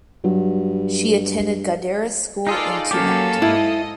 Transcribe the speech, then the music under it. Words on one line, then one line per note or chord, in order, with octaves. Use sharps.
She attended Gadara School in Tumut.
G2 F#3
D#4 F4 G#4 A4 D5
F#3 A#3 C#4 G4 A4 F5
G#2 E4 D#5